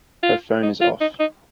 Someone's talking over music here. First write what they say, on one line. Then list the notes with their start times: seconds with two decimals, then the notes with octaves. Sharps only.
Her phone is off.
0.23 F4
0.63 D#4
0.81 F4
1.01 D#4
1.20 D#4